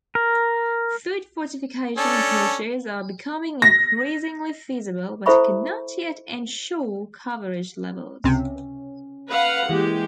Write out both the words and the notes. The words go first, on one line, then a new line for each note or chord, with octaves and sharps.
Food fortification approaches are becoming increasingly feasible but cannot yet ensure coverage levels.
A#4
C#4 D4 A4
A#6
E4 A4 C5 E5 B5 C#6
C#2 C3 C#4
B4 F5 F#5
E3 G#3 A#3 G4